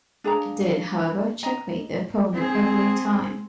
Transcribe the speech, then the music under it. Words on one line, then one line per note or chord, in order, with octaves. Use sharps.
It did, however, checkmate the opponent every time.
D4 G#4 F5 A#5
D#5 A#5
C4 G#4